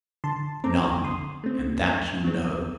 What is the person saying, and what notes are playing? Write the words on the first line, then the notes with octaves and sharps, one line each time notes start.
None: and that you know.
D3 A5 C6
A3 C4 A#5 D6
D3 C6 D#6
A3 C4
F#2
F#3 C4